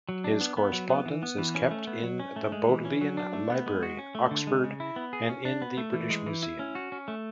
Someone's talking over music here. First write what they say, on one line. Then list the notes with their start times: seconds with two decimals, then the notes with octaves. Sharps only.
His correspondence is kept in the Bodleian Library, Oxford and in the British Museum.
0.09 F#3
0.24 D4
0.41 B3
0.57 B3
0.73 F#3
0.90 B3
1.06 E3
1.23 B3
1.38 E3
1.55 C#4
1.71 A3
1.87 B3
2.03 F#3
2.20 C#4
2.36 A3
2.52 G#3
2.69 E3
2.85 C#4
3.01 F#3
3.17 D4
3.33 A3
3.50 B3
3.66 G#3
3.83 F#4
3.99 C#4
4.15 A3
4.31 D3
4.47 G#3
4.64 C#3
4.80 E4
4.96 B3
5.13 G#4
5.29 C#4
5.45 D4
5.62 B3
5.77 A3
5.93 E3
6.10 G#3
6.26 E3
6.43 E4
6.59 C#4
6.75 F#4
6.92 C#4
7.08 A3